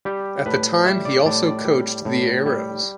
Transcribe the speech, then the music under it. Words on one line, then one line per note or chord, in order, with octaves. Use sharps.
At the time, he also coached the Arrows.
G3 G4
A2 B4
G3 E5
D5
A2 D5
D5
G3
A2
G3